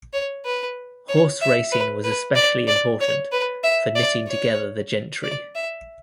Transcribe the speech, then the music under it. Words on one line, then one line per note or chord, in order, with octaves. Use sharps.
Horse racing was especially important for knitting together the gentry.
C#5
B4
C#5
E5
B4
B4
D5
D5
C#5
B4
E5
D5
C#5
D5
E5